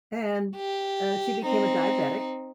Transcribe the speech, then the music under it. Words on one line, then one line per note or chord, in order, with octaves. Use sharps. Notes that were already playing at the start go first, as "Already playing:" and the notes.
and, uh, she became a diabetic.
G4
C4 D#4